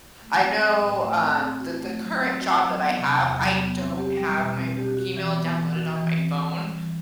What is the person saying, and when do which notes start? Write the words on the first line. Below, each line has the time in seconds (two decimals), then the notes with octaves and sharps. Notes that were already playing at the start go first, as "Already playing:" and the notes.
I know, um, the the current job that I have, I don't have my work email downloaded on my phone,
0.22 A3
0.42 C4
0.62 F#3
0.82 A2
1.01 A3
1.21 C4
1.41 C4
1.60 F#4
1.81 A3
2.00 F#3
2.21 C4
2.40 F#4
2.59 F#3
2.80 B3
2.99 C3
3.19 E2
3.39 F#3
3.58 B3
3.78 C4
3.98 G4
4.17 G3
4.37 B2
4.57 C4
4.77 G4
4.97 F#4
5.17 E3
5.36 B3
5.56 E3
5.76 F#4
5.96 E3
6.16 C4
6.36 F#4
6.55 G3
6.76 E3